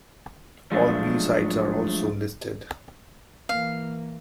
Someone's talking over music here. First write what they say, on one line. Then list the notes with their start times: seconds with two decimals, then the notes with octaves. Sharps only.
All B-sides are also listed.
0.72 F3 F#3 G#3 A3 D4
3.49 E3 A#3 F5